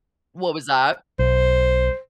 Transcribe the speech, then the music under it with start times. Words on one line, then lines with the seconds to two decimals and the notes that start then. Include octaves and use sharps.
What was that?
1.19 B1 C5